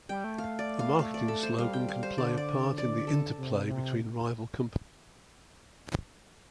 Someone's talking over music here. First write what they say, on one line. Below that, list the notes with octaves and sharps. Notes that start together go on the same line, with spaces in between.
A marketing slogan can play a part in the interplay between rival companies.
G3 G5
A3
F5
D5
F5
A3 F5
D5
A4
C5
G3 F5
G5
F5
C5
D3 D5
D5
D5
A4
C3
C3